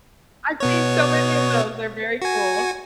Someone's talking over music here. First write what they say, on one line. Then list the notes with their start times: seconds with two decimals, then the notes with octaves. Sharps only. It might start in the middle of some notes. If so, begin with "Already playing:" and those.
I've seen so many of those, they're very cool.
0.60 B2 B3 C#5
2.22 F#4 G#5